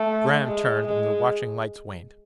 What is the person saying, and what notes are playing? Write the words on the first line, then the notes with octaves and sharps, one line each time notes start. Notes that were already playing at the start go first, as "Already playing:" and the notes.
Graham turned, and the watching lights waned.
Already playing: A3
G#3
G#3